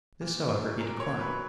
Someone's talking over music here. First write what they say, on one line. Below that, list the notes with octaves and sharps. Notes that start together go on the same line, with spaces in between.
This, however, he declined.
A#2
F#3
A#2 A#4
C#5
F#3
B4